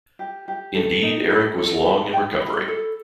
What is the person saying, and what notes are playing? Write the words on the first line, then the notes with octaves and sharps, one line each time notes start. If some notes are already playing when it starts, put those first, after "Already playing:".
Indeed Erik was long in recovering.
G4
G4
A4
D#4
B5
A4
B5
G5
B5
A4